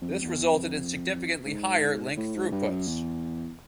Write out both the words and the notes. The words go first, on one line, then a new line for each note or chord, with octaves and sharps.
This resulted in significantly higher link throughputs.
F2
F2
E2
F2
G#2
A2
G#2
G2
F#2
E2